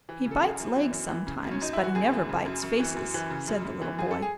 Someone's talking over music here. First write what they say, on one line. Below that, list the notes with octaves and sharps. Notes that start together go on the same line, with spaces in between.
"He bites legs sometimes, but he never bites faces," said the little boy.
E3
C#3
A4
F#2 G#4
F#2
E3
F#2
E3
C#3
F#2
C#4
F#2 D#4
E3 E4
F#4
F#2 G#4
E3
C#3
F#2
F#2
E3
F#2
E3
C#3
F#2
F#2
E3
F#2 G#4
A4
G#4